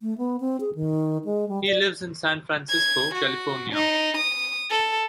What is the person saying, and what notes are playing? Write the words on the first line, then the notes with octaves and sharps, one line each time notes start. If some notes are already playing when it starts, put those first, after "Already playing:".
He lives in San Francisco, California.
A3
B3
C4
G#4
D#3
G#3
G3
D5
G#6
F#4
D#4
D#6
A4